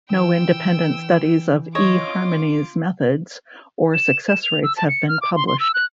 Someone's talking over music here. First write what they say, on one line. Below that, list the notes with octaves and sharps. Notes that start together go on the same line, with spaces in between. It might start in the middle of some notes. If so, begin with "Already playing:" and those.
No independent studies of eHarmony's methods or success rates have been published.
E3 G5 E6
F4 C#5 D#5 D6
E7
E7
F7
E6
A5
C#7
F6
D6
C6
C6
E6
F#6